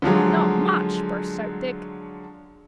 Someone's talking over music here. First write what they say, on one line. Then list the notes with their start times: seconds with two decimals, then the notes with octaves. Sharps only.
"Not much!" burst out Dick.
0.02 D3 F3 F#3 G#3